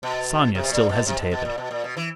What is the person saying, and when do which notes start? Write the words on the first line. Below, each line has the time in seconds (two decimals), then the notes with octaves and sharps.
Sonia still hesitated.
0.03 B2
0.55 C3
0.63 B2
0.72 A#2
0.89 B2
1.06 C3
1.19 B2
1.31 B2
1.45 A#2
1.58 B2
1.71 A#2
1.84 B2
1.97 E3